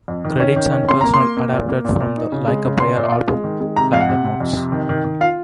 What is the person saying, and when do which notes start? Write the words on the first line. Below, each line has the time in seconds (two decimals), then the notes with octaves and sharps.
Credits and personnel adapted from "Like a Prayer" album liner notes.
0.08 F2
0.25 D#3
0.40 C#4
0.56 D#3
0.72 C#4
0.88 C3 C6
1.01 A#3 A#5
1.14 C6
1.20 A#3
1.37 A#3
1.52 A#2
1.69 A#3
1.85 A#2
2.00 A#2
2.17 D#4
2.32 C#3
2.48 G#3
2.65 C#3
2.80 A#2 C6
2.97 A#2
3.12 F4
3.29 G#3
3.44 D#3
3.60 G#3
3.76 C3 A#5
3.93 F2 F5
4.01 F#5
4.09 C3
4.25 C3
4.40 F2
4.57 C3
4.72 D#3
4.89 D#3
5.05 D#3
5.21 F4 F5